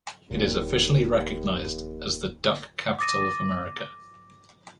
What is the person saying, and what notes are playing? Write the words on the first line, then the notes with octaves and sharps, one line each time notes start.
It is officially recognized as the Duck Capital of America.
D1 D#2 A#2
D6 D#6 A6 A#6 D#7